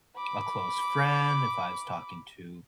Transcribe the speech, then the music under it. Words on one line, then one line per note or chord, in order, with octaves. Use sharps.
a close friend, if I was talking to
B5 D6